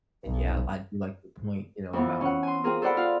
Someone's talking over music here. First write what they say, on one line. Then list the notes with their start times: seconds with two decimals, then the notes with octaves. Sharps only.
And yeah, I do like the point, you know, about,
0.24 B1
1.93 F2 E3 B3
2.21 C#4 F#5
2.43 G#5 C6
2.64 C4 F4 G#4 A#4
2.82 A4 C5 D5 F#5 B5
2.97 F4 F5